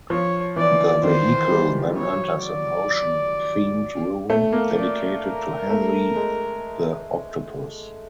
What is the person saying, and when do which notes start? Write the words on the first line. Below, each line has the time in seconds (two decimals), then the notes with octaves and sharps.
The vehicle then enters an ocean themed room dedicated to Henry the Octopus.
0.10 F3 C#5
0.56 E3 D5
1.03 D#3 C5
1.49 G3
1.97 F#3 C#5
2.43 D5
4.30 A3
4.53 A#3
4.75 D5
5.23 A#4
5.70 A3
6.16 G#3